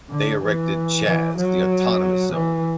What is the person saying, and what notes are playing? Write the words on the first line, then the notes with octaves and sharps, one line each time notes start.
they erected CHAZ, the Autonomous Zone,
D3
E3
E3
F#3
E3